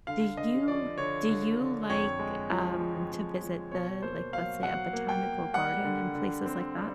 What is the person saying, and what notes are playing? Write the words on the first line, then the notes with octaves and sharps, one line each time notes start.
Do you do you like, um, to visit the, like, let's say, a botanical garden and places like that?
D3 F5
D3 D#5
F3 D5
D3 C#5
D3
D3
F2 C#5
G#3
F3
G#3
F2
F3
B2 C#5
A#3 C5
F#3 F5
F#3 F#5
A#3
G5
A#3
G3 F#5
D3
D3
C4
G3